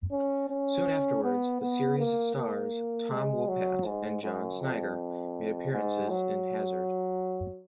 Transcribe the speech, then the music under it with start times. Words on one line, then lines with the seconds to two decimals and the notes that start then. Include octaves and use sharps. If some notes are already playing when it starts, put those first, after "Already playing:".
Soon afterwards, the series' stars Tom Wopat and John Schneider made appearances in Hazard.
0.11 C#4
0.50 C#4
1.24 B3
1.61 B3
1.98 A#3
2.36 A#3
3.11 G#3
3.48 F#3
3.86 G#2
4.23 F#2
4.60 F2
5.72 G#2
6.10 F#3